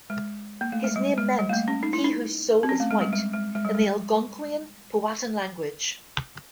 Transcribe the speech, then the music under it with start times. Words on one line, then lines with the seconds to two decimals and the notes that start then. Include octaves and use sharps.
His name meant "He whose Soul is White" in the Algonquian Powhatan language.
0.10 G#3
0.61 A#3
0.72 A3
0.84 G#3
0.96 G3
1.18 G#3
1.39 G3
1.49 A3
1.53 A#3
1.68 C#4
1.83 D#4
1.93 E4
2.04 D#4
2.63 C4
2.69 C#4
2.80 A3
2.91 G#3
3.01 G3
3.13 G#3
3.33 G#3
3.55 G#3
3.65 G3
3.75 G#3